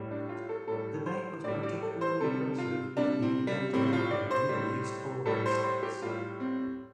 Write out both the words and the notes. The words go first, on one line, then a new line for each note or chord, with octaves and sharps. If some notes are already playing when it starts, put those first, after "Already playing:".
The bank was particularly aggressive in the then-developing Middle East oil-rich states.
Already playing: A2 G3
D4
F4
A4
A2 G3 A4
C5
A2 G3 D5
D5
A4
C5
C3 G3 A4
F4
C3 G3 D4
C4
G3
A2 G3 C4
F4
D5
C5
A2 G3
A2 G3 A4
C5
C5
G4
A2 G3 F4
C4